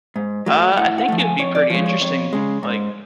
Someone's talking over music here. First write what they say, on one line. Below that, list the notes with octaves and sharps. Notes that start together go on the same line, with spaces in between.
Uh, I think it would be pretty interesting, like,
G#2
F#3 A3
A2 F#5
F#5
F3 A3
G#5
F2 C#5
D5
F3 G#3 C#5
C#5
F2 C#5
C#3 G#3
G#2